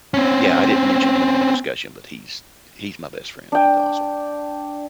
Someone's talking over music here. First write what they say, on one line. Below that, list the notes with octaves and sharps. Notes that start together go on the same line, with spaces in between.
Yeah. I didn't mention him in the discussion, but he's he's my best friend. He's awesome.
C4 C#4
D4 G5